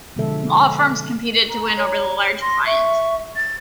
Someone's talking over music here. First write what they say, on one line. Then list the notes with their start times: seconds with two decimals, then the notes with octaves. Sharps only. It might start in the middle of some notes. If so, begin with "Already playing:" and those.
Law firms competed to win over the large client.
0.17 B2 D3 F3 G#3 A4 E5
1.50 A#5
1.77 C#5
2.41 C6 A#6
2.66 E5 C#6
3.36 A6